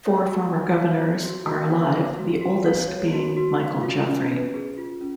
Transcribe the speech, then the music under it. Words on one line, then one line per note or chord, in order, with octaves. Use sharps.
Four former governors are alive, the oldest being Michael Jeffery.
C#5
F#4
F#4
F5
C#5
F#4
F#4
F5
C#5
F#4
F#4
F5
C#5
F#4
F#4
F5
F4
C#4
B4
G#4
F4
C#4